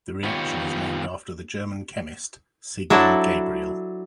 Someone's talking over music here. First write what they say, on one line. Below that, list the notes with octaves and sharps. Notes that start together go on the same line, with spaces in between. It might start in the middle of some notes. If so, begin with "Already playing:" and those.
The reaction is named after the German chemist Siegmund Gabriel.
D#3 B3 F4 G4 C#5
F#3 D4 E4 A4